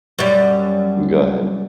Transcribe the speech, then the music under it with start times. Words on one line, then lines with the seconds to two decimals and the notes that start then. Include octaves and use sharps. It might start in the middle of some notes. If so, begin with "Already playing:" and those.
Go ahead.
0.19 F#2 G3